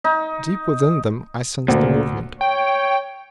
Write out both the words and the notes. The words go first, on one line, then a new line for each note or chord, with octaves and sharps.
Deep within them I sensed a movement.
D#4
D2 A#2
C#5 G5